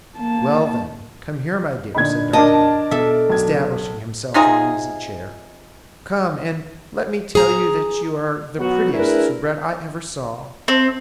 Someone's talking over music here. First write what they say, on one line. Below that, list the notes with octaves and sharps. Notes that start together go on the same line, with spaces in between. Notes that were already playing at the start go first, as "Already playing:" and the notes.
"Well, then, come here, my dear," said d'Artagnan, establishing himself in an easy chair; "come, and let me tell you that you are the prettiest SOUBRETTE I ever saw!"
A#3 A5
A#2 D3 D#4 B5 G#6
D4 A#4 D#5 A5
B2 A4 E5
B1 G#6
C3 D#4 F4 G#4
G#4 A#5
B2 F#3 B3 F#4
A3 D4 E4 G#4 A#4 B4
C4